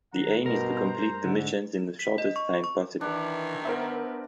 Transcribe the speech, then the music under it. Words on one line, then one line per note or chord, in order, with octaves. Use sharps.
The aim is to complete the missions in the shortest time possible.
D#3 F#5 A#5
G2 B2 A#4 C5 A#5
G#2 D3
B6
D#5
C#6
C#6
D#3 E3 D4
B3 A#4 C5 E5